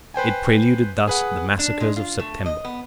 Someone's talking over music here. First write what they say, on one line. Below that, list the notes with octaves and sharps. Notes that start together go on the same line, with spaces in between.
It preluded thus the massacres of September.
B4 C5 G5 G#5
G#4 B4 F#5
D4
G#3
F4
A3
D#5
B3